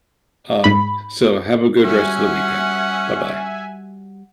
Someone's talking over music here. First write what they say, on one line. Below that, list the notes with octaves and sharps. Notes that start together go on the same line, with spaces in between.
Um, so have a good rest of the weekend. Bye-bye.
G#2 B5
G3 C#4 F#4 E5 F#5 G#5